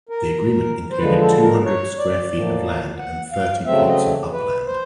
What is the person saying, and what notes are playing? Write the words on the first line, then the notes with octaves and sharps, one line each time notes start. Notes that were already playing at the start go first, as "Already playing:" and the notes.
The agreement included two-hundred square feet of land and thirty plots of upland.
A#4
C5
D3 F3 G#3 B4
A4
A#4
C#5
D5
A2 F3 A#3
F#5
F5
C#3 F#3 A3 C4 E5
D#5
B4
C5